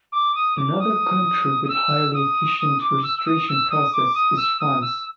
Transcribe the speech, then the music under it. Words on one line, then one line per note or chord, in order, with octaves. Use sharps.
Another country with a highly efficient registration process is France.
D6
D#6
D6
D#6
D#6
E6
D#6
D#6
D6
E6
E6
D#6
E6
D#6
D6
D#6
E6
D#6
E6